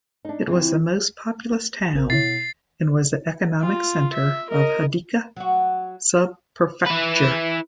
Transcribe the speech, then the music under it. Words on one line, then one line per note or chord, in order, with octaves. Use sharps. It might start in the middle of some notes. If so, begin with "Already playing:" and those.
It was the most populous town and was the economic center of Hidaka Subprefecture.
D4 D#4
E3 C4
A1 C4 A#4
B2 E4 C#5 A6 C7
F4
E5
A#4 D#5
F#3 F#4
E4 B4